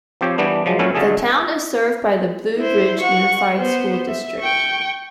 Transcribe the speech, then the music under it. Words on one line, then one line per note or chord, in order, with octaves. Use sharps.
The town is served by the Blue Ridge Unified School District.
F3 C4 G4 C#5
E3 G3 B3 D4
F3 F#3 G#3
A#2 F#3 A3 C#4 E4
G2 D3 A3 G#4
E4 C5
F#5 C#6
B3 C5
E5
G5 C#6